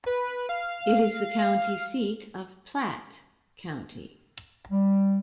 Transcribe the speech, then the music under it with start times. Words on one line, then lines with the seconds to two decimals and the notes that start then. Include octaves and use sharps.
It is the county seat of Platte County.
0.06 B4
0.49 F5
4.71 G3